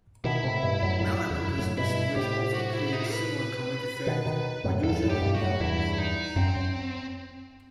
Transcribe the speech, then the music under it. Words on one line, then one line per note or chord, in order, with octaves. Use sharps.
Malapropisms, which often create a similar comic effect, are usually near-homophones.
B2 D#3 E4
A2 C3
G2 B2
F#2 A2
F#2 A2
E2
F#2
F#2 A2
G2 B2 E4
A2 C3 G4
F#4
E4
D#4
B4
B2 D#3
B2 D#3
F#2 A2
E2 G2 A4
F#2 A2
G4
G2 B2
F#4
F#2 A2
E2 G2 E4
D#4
F#2 C4
F#2